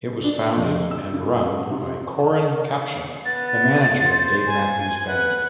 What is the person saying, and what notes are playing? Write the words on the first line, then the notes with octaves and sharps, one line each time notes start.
It was founded and run by Coran Capshaw, the manager of Dave Matthews Band.
D4
F2
E6
C#3
C3
B3 A6
C5
G#5
B4 F#5